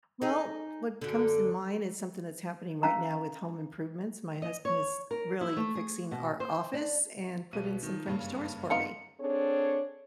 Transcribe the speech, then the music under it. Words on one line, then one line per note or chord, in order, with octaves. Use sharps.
Well, what comes to mind is something that's happening right now with home improvements, my husband is, uh, really fixing our office and put in some French doors for me.
D#4 G#4
F#2 D3
C#4 A#4 F5 A#5
D#5
C#5
A#4
E4
A3
G#4
B2
C5
D4
B1 B2 D#7
D#3 F3
F#1 G2 C#3
B3 D#4 F4 C#7
C4 D4 G#4 A4 C#5